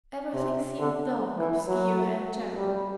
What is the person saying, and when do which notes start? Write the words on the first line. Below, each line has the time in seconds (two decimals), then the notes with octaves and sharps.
Everything seemed dark, obscure, and terrible.
0.34 C3
0.79 D3
1.38 E3
1.68 F#3
2.57 G3